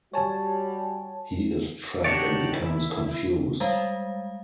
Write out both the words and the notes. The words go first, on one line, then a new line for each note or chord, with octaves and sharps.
He is trapped and becomes confused.
G3 F#4 C#5 G#5 A5
D4 D#4 F#4 G4 C#5 D5
E4
G3 G#3 F5